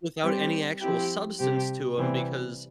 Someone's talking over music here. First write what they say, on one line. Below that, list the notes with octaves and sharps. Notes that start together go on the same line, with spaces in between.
without any actual substance to 'em, because
G3 C4 G4
F3 C4 E4 G4
C3 G3 C4 G4
C3 E3 G3 C4